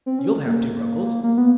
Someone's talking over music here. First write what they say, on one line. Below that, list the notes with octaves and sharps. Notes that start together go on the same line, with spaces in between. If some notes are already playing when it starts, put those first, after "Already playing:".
You'll have to, Ruggles.
C4
C#4
A#3
A#3
B3